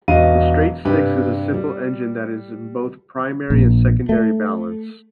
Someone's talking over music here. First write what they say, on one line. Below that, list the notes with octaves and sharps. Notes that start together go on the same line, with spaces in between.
The straight-six is a simple engine that is in both primary and secondary balance.
E1 B3 F#4 D#5 F5 D#7
G2 C3 G4 B4
G3
A#1
A3